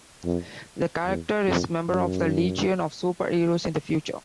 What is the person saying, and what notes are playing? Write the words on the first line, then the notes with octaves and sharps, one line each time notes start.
The character is a member of the Legion of Super-Heroes in the future.
F2
E2
F2
F#2